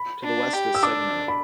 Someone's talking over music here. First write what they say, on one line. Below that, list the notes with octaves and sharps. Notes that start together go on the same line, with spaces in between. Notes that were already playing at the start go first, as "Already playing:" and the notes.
To the west is Segner.
Already playing: B5
D4
G4
E6
D4 D6
B5